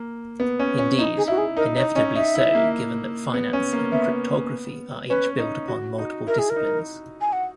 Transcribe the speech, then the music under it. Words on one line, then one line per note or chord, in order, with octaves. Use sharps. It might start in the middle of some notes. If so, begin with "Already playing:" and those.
Indeed, inevitably so, given that finance and cryptography are each built upon multiple disciplines.
Already playing: A#3
B3
C#4
C#4
D#4 E4
G#4
E4 F#4
G#4
D#4 A#4
D#4 C#5
C#4 D#5
D#4 E5
E4
A#3
B3
C#4
A#3
B3 E5
C#4 B4
D#4
F#4
D#4
E4 A#4
G#4
A#4
D#4
G#5
F#5